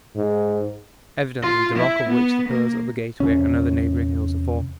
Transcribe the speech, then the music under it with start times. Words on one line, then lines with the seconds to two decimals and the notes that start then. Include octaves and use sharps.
Evidently the rock of which the pillars of the Gateway and other neighbouring hills are formed.
0.16 G#2
1.42 F4
1.76 E4
2.09 B3
2.48 A#3
3.20 E2 C3 C#4